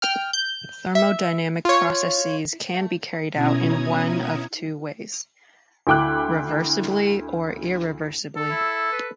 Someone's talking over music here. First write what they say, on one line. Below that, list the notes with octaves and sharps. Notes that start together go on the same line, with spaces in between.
Thermodynamic processes can be carried out in one of two ways: reversibly or irreversibly.
G5 F6
G6
E5
F4 C#5
B2 C#4 E4 A#5 D#6 G#6
D2 E4 G5 D6 F#6
A4
E4
B4